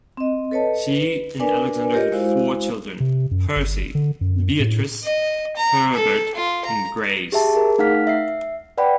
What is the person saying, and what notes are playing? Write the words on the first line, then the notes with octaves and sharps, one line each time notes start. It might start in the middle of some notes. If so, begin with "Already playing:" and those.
She and Alexander had four children: Percy, Beatrice, Herbert, and Grace.
C4 D#5
A4 B4 C#5 D#5 A5
B4
D4 A#4 B4 D5 G#5
F4 G4 A#4 C#5 D#5
G#3 E4 F#4 C5 F5
C3
F#2
G1
D3
F#2
A2
D#5
A#5
A4
F4
A#5
G4 G#4 E5 A5
G#4 A#4
A3 D#4 F5 F#5 F6 B6
E5 C7
B4 D5 F#5 G5 B5